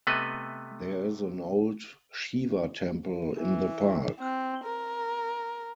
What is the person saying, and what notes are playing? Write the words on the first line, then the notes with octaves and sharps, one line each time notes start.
There is an old Shiva temple in the park.
C3 A3 B3 B4 D#5
E3
C4
A#4